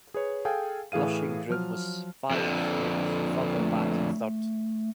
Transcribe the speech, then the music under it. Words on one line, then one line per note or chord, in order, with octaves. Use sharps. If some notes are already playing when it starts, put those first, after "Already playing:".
Blushing Groom was five length further back in third.
G#4 B4 C#5
G#4 A4 F5 G5 G#5
A2 E3 G#4 F5 D#7
F3 F#3 F6
F2 D3
A3